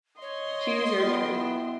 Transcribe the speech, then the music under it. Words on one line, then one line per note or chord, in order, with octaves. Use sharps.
"Choose your truth."
C#5 D#5 C6
B3 F4 F#4 G5
E4 E5